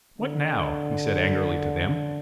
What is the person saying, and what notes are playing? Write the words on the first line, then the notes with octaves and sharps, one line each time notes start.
"What now?" he said angrily to them.
D3